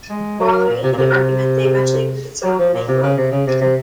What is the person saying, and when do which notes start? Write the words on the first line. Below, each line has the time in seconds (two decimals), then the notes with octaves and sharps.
Following a heated argument, they eventually reconcile and make love.
0.10 G#3
0.40 F#3
0.68 A#2
0.83 C3
0.92 A#2
0.97 C3
1.12 C3
2.44 F#3
2.59 F3
2.74 A#2
2.88 C3
3.03 C#3
3.17 C3
3.32 C#3
3.47 C3
3.61 C3